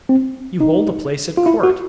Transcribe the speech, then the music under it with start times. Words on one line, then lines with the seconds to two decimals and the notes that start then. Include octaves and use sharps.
You hold a place at court.
0.09 C4
0.60 D#4
1.37 F4
1.46 E4
1.63 F#4